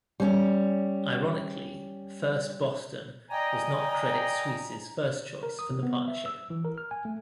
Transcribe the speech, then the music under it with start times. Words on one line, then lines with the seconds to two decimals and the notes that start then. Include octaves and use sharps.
Ironically, First Boston was not Credit Suisse's first choice for the partnership.
0.20 G3 C#4
3.31 D5 D#5 G5 G#5 A#5
5.43 A#4
5.59 D#6
5.70 C3
5.83 B3
6.08 E5
6.26 E6
6.50 E3
6.64 A#4
6.78 F6
6.91 G#5
7.05 A3